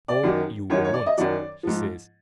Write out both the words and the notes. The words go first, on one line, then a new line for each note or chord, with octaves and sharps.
"No you won't," she says.
D5
F#2 D#3 F#3
F#2 D#3 F#3 C#5
C#5
D5
D#5
F#2 D#3 F#3 D5
G#2 F3